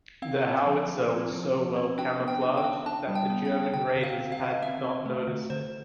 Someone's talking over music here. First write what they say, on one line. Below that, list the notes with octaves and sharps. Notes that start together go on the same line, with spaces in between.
The howitzer was so well camouflaged, that the German raiders had not noticed it.
C4 F5
C4
F3
F3
C4
F3
F3
C4
D4 G5
B3
G5
D4
G5
D4
D4 A5
G3
G5
B3
G5
D4
D3 G5
D3
F5
C4
F5
D3
C4 E5
C4
A3
D3
D3 C5